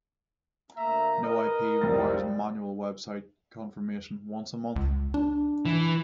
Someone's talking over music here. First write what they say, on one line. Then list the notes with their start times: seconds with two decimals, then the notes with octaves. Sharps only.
No-ip requires manual web site confirmation once a month.
0.77 D2 A#3 E5 A#5
1.24 A#4 B4 D#5
1.81 F1 C2 F3 G3 C4 A6
4.76 C#2
5.14 D4
5.66 E3